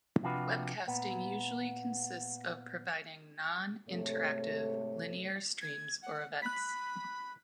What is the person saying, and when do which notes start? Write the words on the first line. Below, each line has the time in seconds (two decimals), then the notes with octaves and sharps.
Webcasting usually consists of providing non-interactive linear streams or events.
0.23 C3 F3 D4 F4 F#4 B4
0.87 A#2 B3
3.89 G#2 C3 A3 A4 C#5
5.62 G#6
6.02 F#5
6.42 B5 F#6 B6